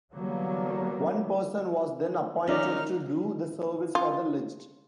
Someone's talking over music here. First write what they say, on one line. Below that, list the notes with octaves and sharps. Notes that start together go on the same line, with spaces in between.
One person was then appointed to do the service for the legd.
D3 E3 F#3 G3 A#3 B3
D#2 C#4 D#4 D5 E5 F6
F4